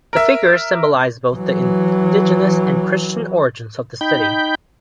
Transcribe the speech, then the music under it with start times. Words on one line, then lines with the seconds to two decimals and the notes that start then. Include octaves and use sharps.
The figures symbolize both the indigenous and Christian origins of this city.
0.13 A#4 E5
1.34 E3 F#3
4.01 D#4 G5 B5 G6